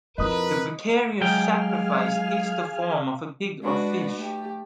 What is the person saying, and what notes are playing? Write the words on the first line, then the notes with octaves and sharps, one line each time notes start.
The vicarious sacrifice takes the form of a pig or fish.
F2 D#4 E4 A#4 B4 D#5 D#6
F#3 G#3 G#4 F5 G5 G#5 F6
G#3 D4 F#4 B4
A3 G4